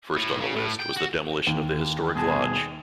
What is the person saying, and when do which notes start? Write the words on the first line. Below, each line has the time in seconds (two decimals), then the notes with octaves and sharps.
First on the list was the demolition of the historic lodge.
0.17 A2
0.40 C#3
0.56 A2
0.79 G5
0.97 F#4
1.47 D#2
2.15 G2 B2 G#4 A5